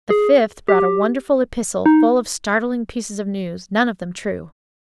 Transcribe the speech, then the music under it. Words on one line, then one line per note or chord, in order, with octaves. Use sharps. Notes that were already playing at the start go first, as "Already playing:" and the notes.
The fifth brought a wonderful epistle, full of startling pieces of news, none of them true.
G#4
G4
D#4